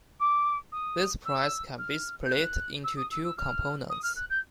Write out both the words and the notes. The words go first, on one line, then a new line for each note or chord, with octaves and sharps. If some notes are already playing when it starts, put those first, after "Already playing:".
This price can be split into two components.
D6
D#6
E6
F6
G6
F#6
E6
D#6
E6
E6
F6
D#6
F6
F#6
G6